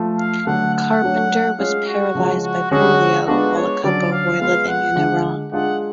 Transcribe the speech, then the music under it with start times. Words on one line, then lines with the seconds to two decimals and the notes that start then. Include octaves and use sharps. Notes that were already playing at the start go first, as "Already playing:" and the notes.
Carpenter was paralyzed by polio while the couple were living in Iran.
Already playing: F3 A3 F4
0.19 F5
0.46 D3 F#3 A3 F#5
0.74 F#5
1.02 F#3 A3 D4 F#4 C#5
1.58 G#3 C#4 F4 G#4 C#5 F5
1.87 F#4
2.15 C#3 F3 G#3 C#4
2.43 F#4
2.71 D3 G#3 C#4 F#4 G#4
3.27 G#3 B3 D4 F4 F#4 A4
3.56 C#5
3.83 D3 F#3 C#4 D5
4.12 F5
4.39 G#3 B3 F4 F5
4.68 F#5
4.95 D3 G#3 D4 F4
5.52 G#3 D4 F4 G#4 F#5